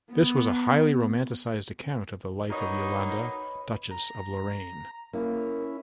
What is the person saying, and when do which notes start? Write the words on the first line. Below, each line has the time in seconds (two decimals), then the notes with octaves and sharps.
This was a highly romanticised account of the life of Yolande, Duchess of Lorraine.
0.11 B3
2.50 F#3 A#3 D#4 B4 C#5 D#5
3.91 A#5
5.13 A#3 C#4 E4